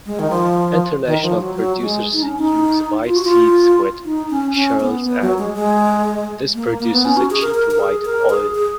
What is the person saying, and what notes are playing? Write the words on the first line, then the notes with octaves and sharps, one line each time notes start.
International producers use white seeds with shells and this produces a cheaper white oil.
G#3
D#3
F3
D#3
F3
F#3
F#3
G#3
D#4
C#4
D#4
F4
F#4
F4
D#4
C#4
C#4
B3
B3
F#3
G#3
G#3
A#3
A#3
B3
C#4
F#4
G#4
A#4
A#4
A#4
G#4
A#4
G#4
G#4